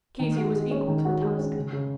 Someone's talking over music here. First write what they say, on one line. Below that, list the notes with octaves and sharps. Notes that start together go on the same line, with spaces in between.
Kezia was equal to the task.
D#3
F#4
G#3
C#4
D#3
F#4
G#3
C#4
C#3
C#3